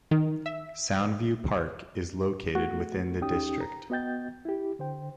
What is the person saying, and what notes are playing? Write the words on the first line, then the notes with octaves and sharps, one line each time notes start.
Soundview Park is located within the district.
D#3
E5
A3 F#4
D#2 C#4 D#4 G4 G5 D#6
A#5
B3 F#4 D#5 G5 G6 A6
E4 G4
D3 C5 G5